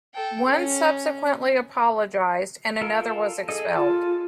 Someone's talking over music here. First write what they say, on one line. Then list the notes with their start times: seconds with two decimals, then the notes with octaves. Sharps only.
One subsequently apologised, and another was expelled.
0.14 A4 G5
0.48 C#4
2.81 F4 A4 A#4
3.49 G#4 A4 D#5
3.76 F4 A5